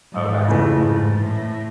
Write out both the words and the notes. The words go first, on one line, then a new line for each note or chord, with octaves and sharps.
Oh, that's so cool.
G#2
F2 A2 C#3 E3 A3
G#2
A2